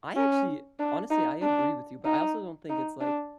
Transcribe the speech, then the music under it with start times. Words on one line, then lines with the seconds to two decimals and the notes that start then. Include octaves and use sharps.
I actually honestly, I agree with you, but I also don't think it's, like,
0.16 C#4
0.79 D4
1.10 D#4
1.42 D4
2.05 D#4
2.70 D#4
3.01 D4